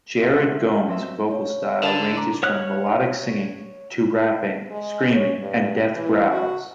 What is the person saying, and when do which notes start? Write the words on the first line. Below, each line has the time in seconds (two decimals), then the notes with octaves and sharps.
Jared Gomes' vocal style ranges from melodic singing to rapping, screaming, and death growls.
0.20 F4 F#4 A4 A#4 E5 F#5
0.38 G#3 F4 G6 C#7
0.87 F#3 C4 C5 D#5 E5
1.31 C#5
1.83 D3 A#4 A5 A6
2.17 A#5 D6
2.43 C#5 F#5 F6 F#6
4.71 G#3
5.13 C#5
5.42 G2
5.95 E3
6.30 F#4